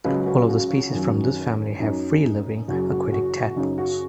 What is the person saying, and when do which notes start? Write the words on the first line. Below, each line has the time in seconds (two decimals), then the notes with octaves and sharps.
All of the species from this family have free-living, aquatic tadpoles.
0.04 C#2 C#3 F#3 B4 D#5
0.26 F#4 B4
0.48 F#4
0.93 F#2 D#3 F#3
1.80 F#2 F#3 D#4
2.68 F#1 F#2 F#3 F#4
2.90 F#4
3.12 F#4
3.56 F#2 C#3 F#3 D#4
3.78 F#4